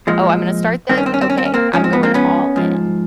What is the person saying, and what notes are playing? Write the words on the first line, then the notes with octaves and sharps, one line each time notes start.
"Oh, I'm gonna start this? Okay. I'm going all in."
A#2 F3 G#3
G2 D#3 C4
C#4
C4
C#4
C4
C#4
C4
C#4
A#3 C4
G#2 F3 C#4
C4
B3
A#3 C4
B3 C#4
G#2 F3